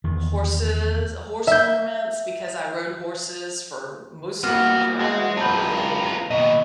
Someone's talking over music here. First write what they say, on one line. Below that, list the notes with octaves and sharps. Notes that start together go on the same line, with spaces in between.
horses horse ornaments because I rode horses for most of my childhood and
E2 D#3
E5 G6
G3 G#3 A#3 B3 F#4 F#5 F6
G#3 D#5
F#2 B2 G#3 F4 B4 A5 A#5 G6
D#2 B2 D#5